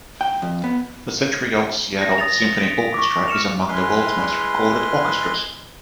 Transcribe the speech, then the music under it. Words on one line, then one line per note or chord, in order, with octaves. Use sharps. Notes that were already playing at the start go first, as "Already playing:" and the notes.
The century-old Seattle Symphony Orchestra is among the world's most recorded orchestras.
G5
F2
B3
A#6
D#6 A6 A#6 F7
B6 D7 F7
C#6 D6
F6 C#7 E7 F7
G#3 E4 G#4 B4 C6 F6